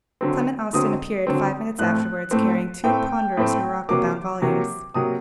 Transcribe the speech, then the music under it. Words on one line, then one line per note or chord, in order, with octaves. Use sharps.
Clement Austin appeared five minutes afterwards, carrying two ponderous morocco-bound volumes.
D3 F#3 C4
D3 F#3 C4 D#6
D3 F#3 C4
A2 A3 C4 F#6
A2 A3 C4
A2 A3 C4 G5
A2 A3 C4
C3 F#3 A#3 D6
C3 F#3 A#3
C3 F#3 A#3 D#6